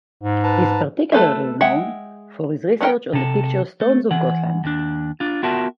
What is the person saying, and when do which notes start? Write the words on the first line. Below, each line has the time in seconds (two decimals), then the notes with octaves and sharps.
He is particularly known for his research on the picture stones of Gotland.
0.23 G#2
0.44 B4 A5 A#5
1.12 A3 A4 B4 C5 E5
1.61 G#3 E5 F#5 G5
2.81 B3 D4 D#4 A#4 G5
3.13 C3 A4
3.81 A3
4.11 E3 F#5
4.64 D#2 D4
5.20 D4 F4
5.43 B3 F4 F#4 A#4 E5 A5